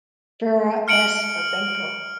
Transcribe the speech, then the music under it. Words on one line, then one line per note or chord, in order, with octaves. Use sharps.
Vera S. Babenko.
F6 C#7 D7 F#7